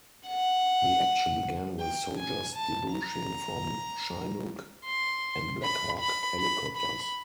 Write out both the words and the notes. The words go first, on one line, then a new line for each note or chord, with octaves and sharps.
The action began with soldiers debouching from Chinook and Black Hawk helicopters.
F#5
G5
G#5
A5
A#5
C6
B5
B5
B5
B5